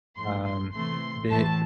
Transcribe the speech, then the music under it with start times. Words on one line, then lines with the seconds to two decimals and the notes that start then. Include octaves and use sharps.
um, Bi
0.17 A2 F3 A3 C6
0.46 C6
0.74 C3 E3 A3 C6
1.30 A2 E3 A3 A5